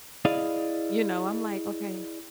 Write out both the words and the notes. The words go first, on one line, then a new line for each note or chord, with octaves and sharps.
You know, I'm like, "Okay."
E4 G#4 D5 D#5 F5